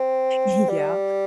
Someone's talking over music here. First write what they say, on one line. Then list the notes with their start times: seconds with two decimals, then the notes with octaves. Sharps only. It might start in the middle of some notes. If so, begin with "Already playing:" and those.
Y yeah,
Already playing: C4
0.69 G3